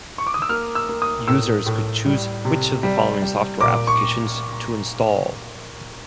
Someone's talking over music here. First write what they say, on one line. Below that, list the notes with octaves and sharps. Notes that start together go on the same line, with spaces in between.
Users could choose which of the following software applications to install.
C#6
D6
D#6
E6
A#3 F6
E6
A#3
D#6
A2 E6
A2
G3
C3
G3
G3
A#2 D6
C#6